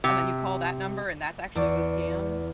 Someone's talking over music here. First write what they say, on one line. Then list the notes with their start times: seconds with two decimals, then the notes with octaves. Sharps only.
and then you call that number and that's actually the scam?
0.04 C3
1.55 E2 D5 C#6